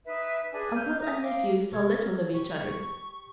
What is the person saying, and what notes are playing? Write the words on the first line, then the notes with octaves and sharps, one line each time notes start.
Uncle and nephew saw little of each other.
D#4 B4 E5
D4 G#4 B4 G#5
F6 G6
E5 A#5 D#6
F5 D6
A4 A#4 C#5
G4 C#6